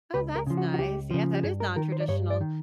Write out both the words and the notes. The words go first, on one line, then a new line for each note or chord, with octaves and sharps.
Oh, that's nice. Yeah, that is nontraditional,
C#2 B4
A#4
C#3 F3
F#4
F#4
C#2 G4
C#3 F3
G4
G2 G#4
A#4
D#3 A#4
C5
D5
G2 C#5
D5
D#3